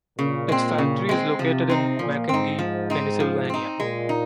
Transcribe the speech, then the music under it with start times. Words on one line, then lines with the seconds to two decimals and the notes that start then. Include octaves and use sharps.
Its factory is located in Macungie, Pennsylvania.
0.18 A#2 C#3
0.49 G#3 C4
0.78 C#3
1.09 G#3 C4
1.39 C3 F3
1.69 C4 D#4
1.99 A#2 F3
2.29 G#2 C4 D#4
2.59 F3
2.90 C4 D#4
3.20 F3
3.50 C4 D#4
3.80 A#2 G#3
4.09 D#4